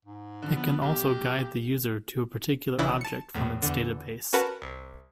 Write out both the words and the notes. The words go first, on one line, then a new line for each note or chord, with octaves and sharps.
It can also guide the user to a particular object from its database.
G#2
D3 F3
B3
B1 G4
A#1 C#3 E3 D4 E4
A5 C#7
E2 A2
E2 D3
C#4 F#4 A#4 B4 F#5 A5
C2